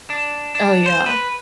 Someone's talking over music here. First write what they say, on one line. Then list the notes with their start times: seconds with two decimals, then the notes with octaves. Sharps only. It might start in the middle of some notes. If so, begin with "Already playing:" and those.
Oh, yeah.
0.10 D4
0.55 D4
0.86 C5
1.06 B4